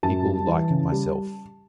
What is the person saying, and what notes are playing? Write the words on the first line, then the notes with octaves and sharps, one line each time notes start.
People like myself.
F#2 A5
G3
E3
C#3
G3